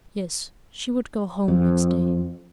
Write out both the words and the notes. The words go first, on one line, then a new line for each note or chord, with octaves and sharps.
Yes, she would go home next day.
F2